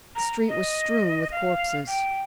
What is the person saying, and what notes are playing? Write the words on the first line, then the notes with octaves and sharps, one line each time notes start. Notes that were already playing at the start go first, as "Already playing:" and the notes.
The street was strewn with corpses.
A#5
D#5
F5
G5